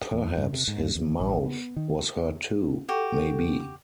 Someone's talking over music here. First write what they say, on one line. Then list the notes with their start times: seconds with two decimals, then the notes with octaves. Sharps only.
Perhaps his mouth was hurt too — maybe.
0.14 E2
0.37 G2
0.53 C3
0.68 G#2
0.82 G2
0.95 E2
1.20 A1
1.45 B3
1.76 D#3
2.89 F#4 G4 A4